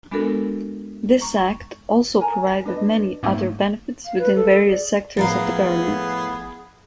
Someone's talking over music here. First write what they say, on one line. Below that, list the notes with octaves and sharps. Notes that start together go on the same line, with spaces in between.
This act also provided many other benefits within various sectors of the government.
G#3 B3 D4 F#4 A4 A#4
A#5 C#6
A#4 G#5 A#5
A#6
D4 B4 D#5
G#2 A3 A#3
F5
B4
A4
G#4
D5
A2 F3 B3 G#4 A#4 F5